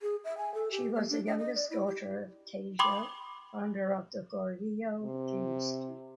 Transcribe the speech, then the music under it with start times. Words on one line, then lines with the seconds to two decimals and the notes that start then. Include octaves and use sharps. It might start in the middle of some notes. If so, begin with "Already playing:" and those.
She was the youngest daughter of Taejo, founder of the Goryeo dynasty.
0.02 G#4
0.24 E5
0.37 G#5
0.54 A4
0.71 G4
0.94 A#3
1.10 D4
1.27 D#5
1.39 D#5
1.55 D5
1.71 E4
1.87 G4
2.79 G5 B5 C6 D6 D#6
5.03 C3